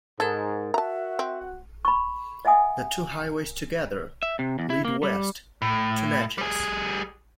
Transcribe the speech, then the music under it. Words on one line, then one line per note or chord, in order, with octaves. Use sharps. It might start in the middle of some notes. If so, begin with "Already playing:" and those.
The two highways together lead west to Natchez.
G#2 A4 A#4 G#6 A6
F#4 E5 F#5 A5 A#5
C4
B5 C#6
D#5 E5 F#5 G#5 D#6
E5
C3
E2
E4
A#3
G3
A2
G3 G#4